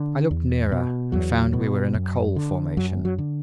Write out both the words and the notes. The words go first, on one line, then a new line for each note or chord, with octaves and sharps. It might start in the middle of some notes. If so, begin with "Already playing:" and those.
I looked nearer, and found we were in a coal formation.
Already playing: D3
E2
B2
E2 F#3
B2
F#2
D3
F#2 F#3
F#3
D3